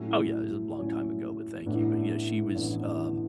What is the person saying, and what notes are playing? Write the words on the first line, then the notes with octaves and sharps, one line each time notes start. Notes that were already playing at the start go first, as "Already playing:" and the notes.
Oh yeah, it's a long time ago, but thank you, but yeah, she was um
Already playing: A2 F#3 C#4 E4
A2 F#3 C#4 E4
A1 A2 E3 B3 D4
A1 A2 E3 B3 D4